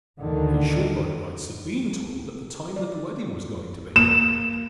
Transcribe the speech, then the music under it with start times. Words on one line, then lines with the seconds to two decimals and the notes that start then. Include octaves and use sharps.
He should by rights have been told at the time that the wedding was going to be.
0.20 D2 D3 D#3
2.76 D5
3.96 A#3 E7